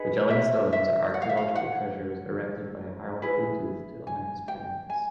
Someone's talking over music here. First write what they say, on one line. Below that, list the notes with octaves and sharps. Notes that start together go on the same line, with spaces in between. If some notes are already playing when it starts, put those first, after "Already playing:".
The Jelling stones are archaeological treasures erected by Harald Bluetooth to honour his parents.
Already playing: D#4 G#4 B4
E5
E5
F#5
F5
E5
F5
F#5
E4 G#4 B4
G#5
G5
G#5